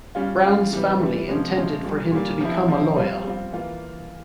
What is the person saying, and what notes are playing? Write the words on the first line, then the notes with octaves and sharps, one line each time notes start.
Brown's family intended for him to become a lawyer.
G3 C#4 F4
G3 C#4 F4
C3 E3 G3
C3 E3 G3
C3 F3 G#3 C#4
C3 F3 G#3 C#4
A#2 G3 A#3
A#2 G3 A#3
F3 C4 E4
F3 C4 E4
G3 C4 F4
G3 C4 F4
E3 A#3 F4